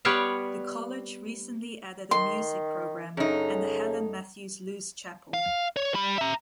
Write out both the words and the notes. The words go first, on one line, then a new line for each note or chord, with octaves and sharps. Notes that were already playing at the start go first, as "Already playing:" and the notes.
The college recently added a Music program and the Helen Matthews Luce Chapel.
G3 B3 B4 C#5 D5 F5
D#3 C6
F#2 C#3 D#4 A4
F5
C#5
G3 B5
E5 A#5